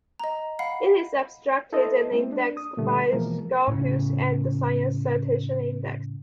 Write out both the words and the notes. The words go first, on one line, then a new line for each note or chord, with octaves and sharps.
It is abstracted and indexed by Scopus and the Science Citation Index.
D#5 A#5
F5 F#5 B5 C7
E4 A4 B4 C5 D#5
G#3 A#3 C4 E4
D4
D#6
A#2 D3 G3 A3
B2 E3 F3 G#3 A#3 A#4
A2 C#3